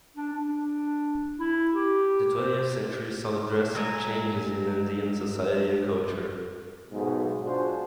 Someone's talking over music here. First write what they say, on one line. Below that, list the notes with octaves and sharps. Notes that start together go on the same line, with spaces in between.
The twentieth century saw drastic changes in Andean society and culture.
D4
D4
E4
G4
C5
F#3 G#3 A4 G5 G#5 A#5
B1 G#2 B2
D4 F4 F#4 G#4 C5